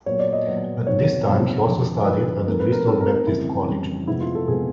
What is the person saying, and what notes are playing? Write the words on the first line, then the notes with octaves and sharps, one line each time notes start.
At this time he also studied at the Bristol Baptist College.
A#2 F#3 B3 C#5
D5
D#5
A#2 F#3 B3
F2 C3 D#3 F#3 B3 C#5
F2 C3 D#3 F#3 B3 C5
F2 D3 F3
F2 D3 F3 B4
G#2 F3 A3 C4 A#4
B4
A#4
G#2 F3 A3 C4 A4
A#4
A#4
F2 C#3 E3 G3 C4 E4
F2 C#3 E3 G3 C4
F2 C3 F3 G#3 B3 E4
F4
A4
C3 F3 G#3 B3 G#4